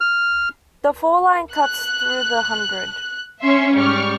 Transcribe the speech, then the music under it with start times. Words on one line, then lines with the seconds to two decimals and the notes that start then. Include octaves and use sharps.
The fall line cuts through the hundred.
0.01 F6
1.54 F#6
3.41 C#4 E5 C6 C#6
3.74 G#2 G3 C#6 F6